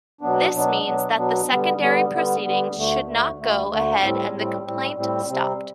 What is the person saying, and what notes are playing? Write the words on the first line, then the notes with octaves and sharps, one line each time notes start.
This means that the secondary proceedings should not go ahead and the complaint stopped.
B2 F#3 B3 D4
B2 F#3 B3 D4
B2 F#3 B3 D4
B2 F#3 B3 D4
D3 G3 B3
D3 G3 B3
D3 G3 B3
D3 G3 B3
D2 D3 A3
D2 D3 A3
D2 D3 A3
D2 D3 A3
A2 G3 C4
A2 G3 C4
A2 G3 C4
A2 G3 C4
C3 G3 C4